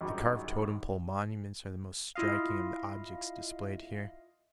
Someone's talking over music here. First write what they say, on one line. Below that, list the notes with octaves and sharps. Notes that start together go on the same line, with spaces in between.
The carved totem-pole monuments are the most striking of the objects displayed here.
G#1 C#2 G2 F#3 D#4 D6
E4 F4 D#5 F5